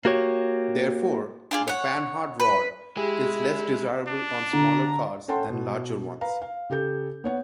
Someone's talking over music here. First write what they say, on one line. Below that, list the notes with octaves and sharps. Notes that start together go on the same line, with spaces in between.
Therefore, the Panhard rod is less desirable on smaller cars than larger ones.
A#3 F#4 G4 C#5
D4 F4 G#4
C#5 F#5
B4
G#3 E4 G4 G#4
D4
D3 A#5
C#4 A4 F#5 G5 A5 C6
B2
B4 F5 A#5
F5
C#3 G4 A4 G6
B3 C#5 F#5